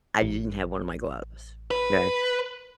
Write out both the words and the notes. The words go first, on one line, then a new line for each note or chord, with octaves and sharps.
I didn't have one of my gloves. 'Kay?
A1
B4